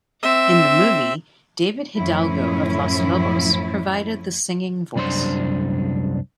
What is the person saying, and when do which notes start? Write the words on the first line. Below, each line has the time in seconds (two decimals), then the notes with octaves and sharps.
In the movie David Hidalgo of Los Lobos provided the singing voice.
0.23 C4 E5
1.95 F#2 A2 F3 C#4 E4
4.96 C2 F#2 D4 C5 C6